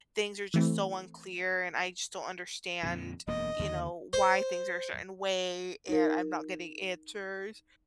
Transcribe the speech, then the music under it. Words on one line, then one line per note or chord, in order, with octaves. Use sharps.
things are just so unclear and I just don't understand, you know, why things are a certain way and I'm not getting answers,"
E3 A3 C4
F2 A#2 D3
E1 F#2 A#3 D#5
D#2 D3 D#3
C5
D#4 A#4